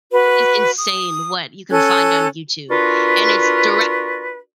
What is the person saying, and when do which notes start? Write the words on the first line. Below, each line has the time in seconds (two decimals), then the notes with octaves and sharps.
it is insane what you can find on YouTube, and it's direct
0.12 F#4 B4
0.77 D#6
1.70 C#4 A4 F#6 G#6
2.70 D4 F4 F#4 A#4 B4